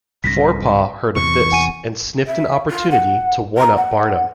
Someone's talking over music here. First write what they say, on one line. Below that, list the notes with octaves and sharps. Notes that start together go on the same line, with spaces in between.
Forepaugh heard of this and sniffed an opportunity to one-up Barnum.
C2 G#2 D3 A#6 B6
E2 C3 E3 C#6
F#5 G#5 D#7
E5
F4
F#5
A#5
F#5